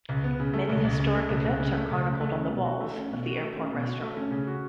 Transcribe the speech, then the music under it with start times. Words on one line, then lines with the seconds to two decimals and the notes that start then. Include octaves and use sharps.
Many historic events are chronicled on the walls of the airport restaurant.
0.09 C#2
0.24 B3
0.40 C#3
0.54 A3
0.69 C#2
0.85 C#2
0.99 C#3
1.15 A3
1.30 C#2
1.45 C#2
1.60 C#3
1.75 A3
1.90 C#2
2.05 C#2
2.21 A3
2.35 C#4
2.51 B2
2.65 F#4
2.81 A3
2.96 C#4
3.11 B2
3.26 F#4
3.41 A3
3.56 C#4
3.72 B2
3.87 F#4
4.02 A3
4.17 C#4
4.31 C#3
4.47 F#4